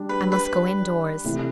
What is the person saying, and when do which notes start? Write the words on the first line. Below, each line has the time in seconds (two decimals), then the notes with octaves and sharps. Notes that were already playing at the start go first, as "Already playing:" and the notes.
I must go in-doors.
Already playing: G3 D4 G4
0.09 B4
0.32 B4
1.24 C3 E3 A3 E4 G4